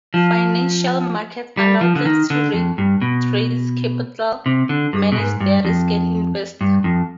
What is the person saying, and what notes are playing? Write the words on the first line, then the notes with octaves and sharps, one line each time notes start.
Financial markets allow clients to raise capital, manage their risks and invest.
F3
G3
F3
D3
D#3
D3
F2
G2
B2
C3
D3
G2
B2
G#2
G2
F2
G2
F2